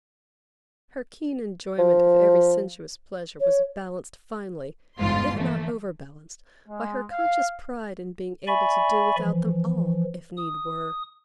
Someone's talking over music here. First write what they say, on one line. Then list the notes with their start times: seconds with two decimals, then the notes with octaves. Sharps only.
Her keen enjoyment of every sensuous pleasure, was balanced finely, if not overbalanced, by her conscious pride in being able to do without them all, if need were.
1.79 F3
3.40 C#5
4.99 G1 E2 G#2 B2 F4 C6
5.36 E3 F3 A3 A#3
6.69 G#3
7.12 F5
8.48 D5 E5 G#5 B5 C#6
9.18 E3 F3
10.37 D#6